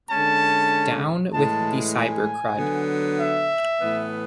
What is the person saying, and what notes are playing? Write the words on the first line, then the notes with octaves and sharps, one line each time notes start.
Down with the cybercrud.
D3 G#3 C#4 A5
A2 E3 G#3 A5
G#5
D3 F#3 B3
E5
A2 E3 B3